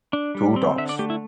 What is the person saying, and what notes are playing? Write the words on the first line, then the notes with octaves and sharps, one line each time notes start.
Two dogs.
D4
G3
C4
D3 E5
D5
A3 G4
E4